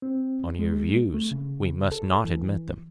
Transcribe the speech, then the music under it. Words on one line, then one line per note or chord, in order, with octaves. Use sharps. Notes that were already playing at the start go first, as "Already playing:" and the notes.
On your views, we must not admit them.
C4
G#3
A3
C#3
A4
E3